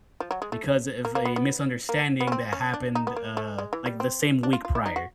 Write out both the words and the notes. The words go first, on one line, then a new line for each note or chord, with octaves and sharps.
because, eh, of a misunderstanding that happened, uh, like, the same week prior.
F3
F#3
G#3
A3
A#3
A#3
B3
B3
A#3
B3
C#4
C4
C#4
D4
D#4
B3
A#3
A3
G#3
E3
G3
C4
D4
F4
F4
E4
D#4
F#4